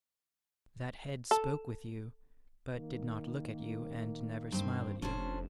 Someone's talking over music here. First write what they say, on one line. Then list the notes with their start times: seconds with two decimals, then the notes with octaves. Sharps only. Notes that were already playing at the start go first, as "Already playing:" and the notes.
That head spoke with you, but did not look at you and never smiled at you.
1.31 A4
2.76 D#3 A#3
4.52 G2 C4
5.02 F1 C#4 D4 C5